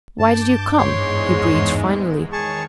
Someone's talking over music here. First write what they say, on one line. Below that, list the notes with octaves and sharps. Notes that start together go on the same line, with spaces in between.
"Why did you come?" he breathed finally.
G2 A5 D6 G6
E2 G#2 G#3 C#5 C6
D#3 G#4 C#5 A5 C#6